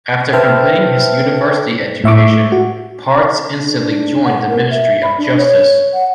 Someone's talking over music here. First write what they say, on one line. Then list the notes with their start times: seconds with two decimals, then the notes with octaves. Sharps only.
After completing his university education, Parts instantly joined the Ministry of Justice.
0.33 B4 C5 E5 G5 A5 F6
2.04 A2 E5 C#6 D6
2.52 F#4
3.65 D4
4.24 F#5
4.49 A#4
4.70 E5
5.03 B5
5.18 D4
5.37 C#5
5.94 F#5